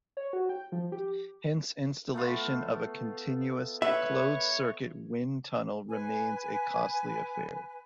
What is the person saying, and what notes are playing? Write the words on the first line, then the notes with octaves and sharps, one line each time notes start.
Hence installation of a continuous, closed circuit wind tunnel remains a costly affair.
C#5
F#4
G5
F3
G4
A3 B3 F4
B4 C#5 E5
B4 G#5